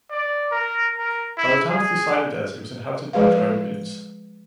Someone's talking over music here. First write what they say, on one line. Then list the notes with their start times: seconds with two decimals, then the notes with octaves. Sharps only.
By the time of Thucydides it was inhabited by Dryopians.
0.10 D5
0.51 A#4
0.98 A#4
1.37 E4
1.69 G#4
3.13 F3 G#3 G#4 B4 F5